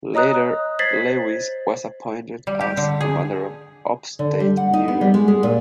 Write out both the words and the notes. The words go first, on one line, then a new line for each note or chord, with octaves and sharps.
Later, Lewis was appointed as commander of upstate New York.
C#5 D#5 A#5 D#6 F#6
C5 G#6 A6 B6 C7 F#7
G3
G4
D3
G#4
D3
G3
F#5
D#4
B3
G3
G#3
G#4
A#2